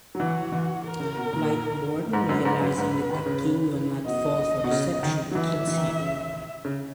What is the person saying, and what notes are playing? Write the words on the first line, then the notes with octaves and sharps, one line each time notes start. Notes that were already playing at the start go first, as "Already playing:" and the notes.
Lightborn, realizing that the king will not fall for deception, kills him.
F#3
E3 F#4
E3
A#4
C#3
B2
A#2
G#2 B4
F#2
G#2
F#2
G#2
D#3
C#3
B2 D#5
B2
C#3
D#3
F#3
E3 E5
E3
D#3
E3
C#3
C#3